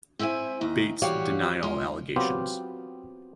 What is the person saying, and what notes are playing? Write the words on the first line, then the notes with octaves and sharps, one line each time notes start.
Bates denied all allegations.
C4 E4 E5 F#5 G#5
D#2 A#5
E3 G3 F#4 G4 C#5 F5
G#3 F4
F#3 B3 C4 F4 G4